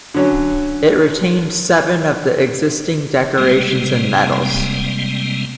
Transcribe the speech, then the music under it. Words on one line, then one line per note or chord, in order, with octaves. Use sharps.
It retained seven of the existing decorations and medals.
D3 F#3 C#4
C3 G3 G#3 A#3 C4